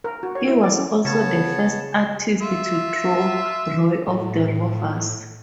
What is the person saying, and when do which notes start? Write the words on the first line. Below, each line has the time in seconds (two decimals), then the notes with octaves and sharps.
He was also the first artist to draw "Roy of the Rovers".
0.04 A#4
0.23 F#4
0.35 C#5
0.48 E4
0.64 D5
0.77 C#4
1.05 C#3 B3 C#5 A5
2.41 F4 E5
4.08 A2